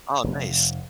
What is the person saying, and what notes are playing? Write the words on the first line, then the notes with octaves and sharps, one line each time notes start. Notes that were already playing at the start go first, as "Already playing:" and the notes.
Oh, nice.
F1